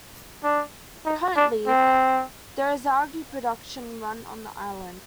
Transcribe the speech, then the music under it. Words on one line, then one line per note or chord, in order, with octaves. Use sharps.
Currently, there is algae production run on the island.
D4
D#4
D4
C4